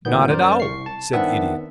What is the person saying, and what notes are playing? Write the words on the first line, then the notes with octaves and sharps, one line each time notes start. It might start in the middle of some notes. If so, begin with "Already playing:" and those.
"Not at all," said the Idiot.
A1 D2 A#2 D#3 B3 G6
F#2 A#4 C5 D5
C2 C#6 C7
A5
D#3 B3 C4 D4 E5 F#5